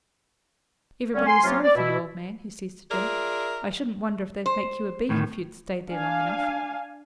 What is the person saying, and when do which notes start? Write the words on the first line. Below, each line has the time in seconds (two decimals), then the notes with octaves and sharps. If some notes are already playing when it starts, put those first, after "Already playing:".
Everybody is sorry for you, old man,' he says to Jim. 'I shouldn't wonder if they'd make you a beak if you'd stayed there long enough.
1.15 D3 G3 C4 C#4
1.27 G#5 C6
1.44 C3 F#3 A#3 C#4 F4
1.64 D5
1.75 B2 E4
2.90 F4 G#4 A#4 D5 E5
4.46 C5
5.09 D2 A2 D#3
5.89 D4 F5 G#5